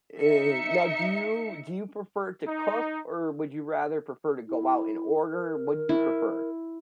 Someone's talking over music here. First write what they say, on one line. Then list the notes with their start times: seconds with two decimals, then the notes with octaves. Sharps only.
Eh, now do you do you prefer to cook, or would you rather prefer to go out and order? What do you prefer?
0.21 D#4 E5 C#7
2.46 D#4
4.48 E4
5.30 A#4
5.89 E4